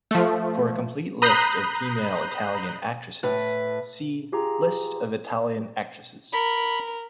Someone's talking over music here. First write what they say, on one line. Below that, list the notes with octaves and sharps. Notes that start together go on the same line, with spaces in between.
For a complete list of female Italian actresses, see: List of Italian actresses.
F3 A3
A#5 B5 D#6 F#6 G6 C7
A2 B4
F4 G4 G#4 A#5
A#4 B5